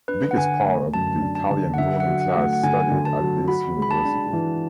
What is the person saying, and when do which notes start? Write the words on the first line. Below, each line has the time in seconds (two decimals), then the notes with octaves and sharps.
The biggest part of the Italian ruling class studied at this University.
0.08 D4 B4
0.31 F#5
0.37 D3 G#5
0.65 A3
0.94 F#2 A5
1.22 D4
1.35 A5
1.50 D3
1.74 F#5
1.78 D3 E5
2.00 F#5
2.07 F#3
2.21 F#5
2.35 A3
2.42 F#5
2.53 F#5
2.63 D3 G#5
2.91 D3
3.05 A5
3.20 F#3
3.48 F#4 B5
3.77 G#3
3.82 B5
3.91 A5
4.05 D4
4.33 E3